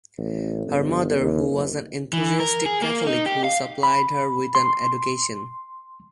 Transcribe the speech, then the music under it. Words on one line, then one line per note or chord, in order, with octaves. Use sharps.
Her mother who was an enthusiastic Catholic who supplied her with an education.
A1
G1
D#2
F#1
E3
A#4
G#4
A#3
D#4
G4
F5
B5
C6